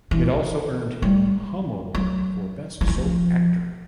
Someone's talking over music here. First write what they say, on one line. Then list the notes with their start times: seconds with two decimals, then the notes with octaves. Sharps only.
It also earned him Hum Award for Best Soap Actor.
0.11 E3
1.02 G3
1.95 F#3
2.81 E3
2.87 F3